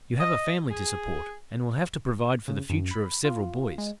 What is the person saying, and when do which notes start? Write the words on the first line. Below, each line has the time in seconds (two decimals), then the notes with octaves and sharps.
You have a family to support and will have to provide for the future of several boys.
0.19 D#5
0.71 G#4
2.48 C#3
2.69 F#2
2.91 B5
3.25 F4
3.78 G#3